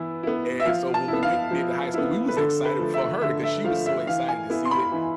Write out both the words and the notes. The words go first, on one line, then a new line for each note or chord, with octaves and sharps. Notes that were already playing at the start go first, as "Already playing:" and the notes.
and so when we went and did the high school, we was excited for her, 'cause she was so excited to see it,
Already playing: E3 B3 E4
B3 E4
E5
F3 F5
A5
B3 E4
F5
F3
B3 E4
B4
D3 A4
B4
F3 A3
E5
D3 E5
E5
F3 A3 F5
E5
E3 F5
G#5
B3 E4
C6
B5
E3